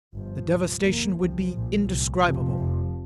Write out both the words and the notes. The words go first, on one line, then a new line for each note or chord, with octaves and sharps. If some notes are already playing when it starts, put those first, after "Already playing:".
The devastation would be indescribable.
G1 G2 F3
C2 A#2
F1 D#2 A#3
C2 C3 F3
A#1 A#2
C2 A#2
F1 F2 C3 F3
F1 F2 C3